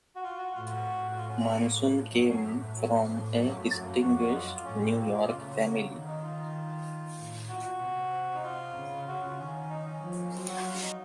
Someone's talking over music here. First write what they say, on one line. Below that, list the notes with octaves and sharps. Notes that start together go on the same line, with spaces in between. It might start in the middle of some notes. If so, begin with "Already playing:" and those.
Mason came from a distinguished New York family.
F#4
F4
F#4
A2 F4
F4
F#4
A2
F#4
F4
C#4
C4
A#3
F#3
A3
F3
F#2 F#3
F#3
A2 A3
A3
F#3
F3
A2 F3
F3
F3
A3
F#2 F#3
A#3
A3
F#2 F#3
A3
A#3
F2 F#4
F#4
D#4
F#2 F4
F4
F4
A2 C#4
C4
A#2 A#3
C#3 F4
A3
F#3
D#3 F#3
D#4
F4
A2
A#2 F#4
F#4
C3
D#4
F4
C#3
C#3 F#4
F4
D#3 C#4
C#4
D#4
C#4
F3
A3
A#3
F#3 C4
F#4
F4
D#4